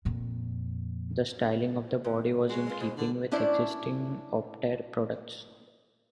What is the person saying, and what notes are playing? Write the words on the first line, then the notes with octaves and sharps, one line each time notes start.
The styling of the body was in keeping with existing Optare products.
F2 A#2
G#2 B3
G#3 F#4 C#5
C4 F4 B4
B2 C5
D3 D#4
C#4 D4 E4 C5 D5